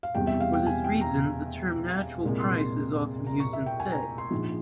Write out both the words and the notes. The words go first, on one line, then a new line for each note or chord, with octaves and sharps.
For this reason, the term 'natural price' is often used instead.
F5
E1 E2 C3 G3 G5
E5
F5
G5
G#5
G5
A#5
C2 A#2 G#3
C6
C6
A#5
C#6
E5
G5
G#5
A#5
C6
A#1 G#2 F3